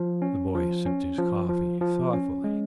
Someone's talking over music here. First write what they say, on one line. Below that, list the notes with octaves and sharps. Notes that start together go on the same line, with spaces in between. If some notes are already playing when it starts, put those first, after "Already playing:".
The boy sipped his coffee thoughtfully.
Already playing: F3
C#4
F3
C#4
F3
F3
F3
C#4
G#3